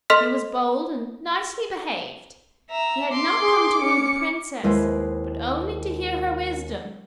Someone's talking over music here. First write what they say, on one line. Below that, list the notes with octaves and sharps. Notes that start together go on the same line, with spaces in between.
He was bold and nicely behaved; he had not come to woo the Princess, but only to hear her wisdom.
A4 D#5 C6 F6 B6
E5 A#5
C6 D6
G#4
C#4 C#7
D#2 G#3 E4 B4 C5